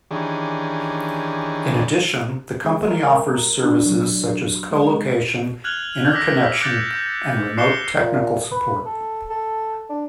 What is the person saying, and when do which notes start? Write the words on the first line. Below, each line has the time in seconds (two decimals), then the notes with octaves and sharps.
In addition, the company offers services such as colocation, interconnection and remote technical support.
0.11 D#3 E3 C#4 D4 G4 G#4
2.65 G#3
2.88 A#4
3.64 D4
3.86 F#3
4.71 G#3
5.64 F6 F#6 G#6 F7 F#7
6.12 D6 E6 A#6 B6
6.61 D6 F#6 G6 A6 C#7 D7
7.57 D6 F#6 C7 C#7 E7 G7
7.98 A#2
8.52 B4
8.86 A4
9.30 A4
9.90 D4